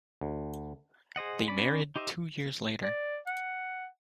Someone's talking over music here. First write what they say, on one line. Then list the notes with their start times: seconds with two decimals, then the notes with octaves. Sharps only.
They married two years later.
0.21 D2
1.16 G#4 C5 D#5 F#5
1.48 C#4 D5 B5
1.96 D#4 G4 C5 D#5 E5
2.84 D5
3.27 F#5